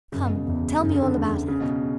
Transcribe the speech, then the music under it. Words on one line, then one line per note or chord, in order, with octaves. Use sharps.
"Come, tell me all about it."
F#2 C#3
B2
C#3
E2
F#2 C#3
D3
D3
E2
C#3
B2